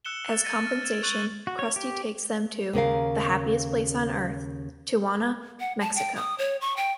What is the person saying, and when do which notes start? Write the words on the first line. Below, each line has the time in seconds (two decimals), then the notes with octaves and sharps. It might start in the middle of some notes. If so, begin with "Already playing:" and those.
As compensation, Krusty takes them to "the happiest place on Earth", Tijuana, Mexico.
0.05 E6 F#6 C#7 E7 G7
0.29 A6
0.44 A6 A#6 C#7 D#7
0.67 F6
0.82 G#6 A6 E7
1.03 C#6 F#6 A6 D#7 F#7 G7
1.47 F#4
1.59 C#5
1.76 G4
2.73 D#2 C#3 A#4 F5
5.60 F#5
5.80 A5
5.96 G5
6.16 D#6
6.38 C#5
6.61 C#6
6.77 G5